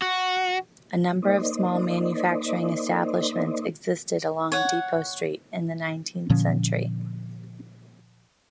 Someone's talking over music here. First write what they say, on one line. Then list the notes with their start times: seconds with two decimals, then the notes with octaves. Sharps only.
A number of small manufacturing establishments existed along Depot Street in the nineteenth century.
0.02 F#4
1.22 A#3 D#4 C5 D5 D#5
4.52 C#5 F#5
6.30 A#2 D3 F3 C#4